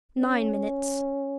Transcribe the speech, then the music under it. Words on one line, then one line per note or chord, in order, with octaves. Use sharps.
Nine minutes.
C#4